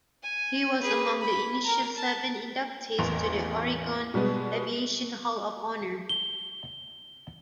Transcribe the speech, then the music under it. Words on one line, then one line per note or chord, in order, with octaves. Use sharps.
He was among the initial seven inductees to the Oregon Aviation Hall of Honor.
G#5
G#4 B4
B5
A#4 A#5
A5
A1 E2 A#3 C6 F7
B2 G3 G#3 B3
G7